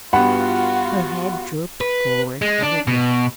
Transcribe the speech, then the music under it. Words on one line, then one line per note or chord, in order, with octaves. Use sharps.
Her head drooped forward a little.
G2 B3 F4 F#4 F#5 B5
B4
G#3
D4
B2